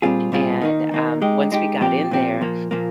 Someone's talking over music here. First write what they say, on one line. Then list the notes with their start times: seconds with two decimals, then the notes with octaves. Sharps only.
and, um, once we got in there,
0.02 A#2 G3 C4 F4 G#4
0.32 A#2 G3 C4 F4 G#4
0.61 D#3 A#3 D#4
0.92 D#3 A#3 D#4
1.22 G#3 D#4 G4
1.52 G#3 D#4 G4
1.81 A#2 F3 C4 G4
2.11 A#2 F3 C4 G4
2.41 A#2 F3 A#3
2.71 A#2 F3 A#3